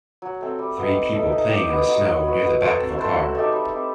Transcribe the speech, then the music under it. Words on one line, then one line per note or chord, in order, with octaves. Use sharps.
Three people playing in the snow near the back of a car.
F#3
A3 C4
G3
B3 D#4
C4
D#4 A4 E5
D#4
G4 D#5
B3
D#4 F#4
F#3
B3 F#4
B3
F#4 A4 C5
C4
E4 A4 C5
F#3
A3 D#4 G4
G3
C4 E4